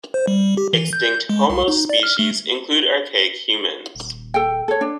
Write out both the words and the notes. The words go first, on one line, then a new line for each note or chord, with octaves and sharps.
Extinct "Homo" species include archaic humans.
C5
G3
G4
E3
G6
G#3
C2
D#4
D5
F6
A3
D#1
A4 G5
A4 C#5
D4